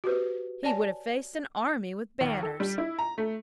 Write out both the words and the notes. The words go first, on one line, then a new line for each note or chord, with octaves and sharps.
He would have faced an army with banners.
F#4 G4 B4 C5
C#5 D5 G#5 A5
D#2
A4
G3
E4
A#5
A3